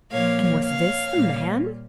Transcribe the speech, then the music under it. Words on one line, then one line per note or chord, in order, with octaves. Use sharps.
And was this the man?
A#2 F3 A#3 C#5 F5
C#5 F5
A#2 G3 A#3